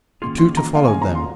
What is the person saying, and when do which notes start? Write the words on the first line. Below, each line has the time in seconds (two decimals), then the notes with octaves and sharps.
The tutor followed them.
0.22 D#3 A#3 C#4 F4 G#4 C6
0.38 C6
0.57 A#5
0.74 D#3 A#3 C#4 F4 G#4 F5
0.87 G#5
1.02 A#5
1.15 C6